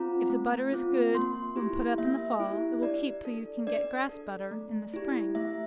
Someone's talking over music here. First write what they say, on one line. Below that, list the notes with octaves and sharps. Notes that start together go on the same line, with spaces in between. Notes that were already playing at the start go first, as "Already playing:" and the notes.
If the butter is good when put up in the fall, it will keep till you can get grass butter, in the spring.
Already playing: C4 F4 A#5
A3
C4 F4
A#3 C6
E4 G4
A#3 E5
E4 G4
D4 D5
A4
D4 D5
A4
A3
E4 G4
A3 E5